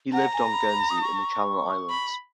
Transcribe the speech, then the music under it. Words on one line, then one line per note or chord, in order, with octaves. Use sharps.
He lived on Guernsey in the Channel Islands.
F#5 A#5
G#5
B5
B5
D#6
C#6
B5